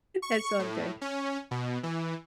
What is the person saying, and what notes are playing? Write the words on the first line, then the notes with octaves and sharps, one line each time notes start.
that's all good.
C#6
A2
C#4
B2
E3